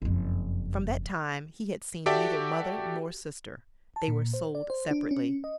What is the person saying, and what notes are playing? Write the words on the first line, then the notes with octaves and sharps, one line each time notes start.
From that time he had seen neither mother nor sister--they were sold separately.
F#1 F2
F#4 G4 A4 D5 E5 G5
A5
A#2
C5
D5
C5
D4
C#4
D#5